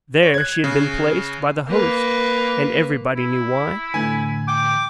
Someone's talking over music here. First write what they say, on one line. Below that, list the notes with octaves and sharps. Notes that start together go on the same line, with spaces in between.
There she had been placed by the host; and everybody knew why.
C#5
F#6 G#6
C#3
A#3 B4
E4
A2 D3 E3 G#5
G5 D6